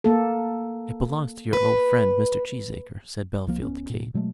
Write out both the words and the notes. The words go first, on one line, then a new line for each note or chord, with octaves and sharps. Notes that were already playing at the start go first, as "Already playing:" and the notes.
"It belongs to your old friend, Mr. Cheesacre," said Bellfield to Kate.
A#3 A4
B4
C2 F3 A#3
D1 B3 C#4
A#2
B2 F#3 G#3 A3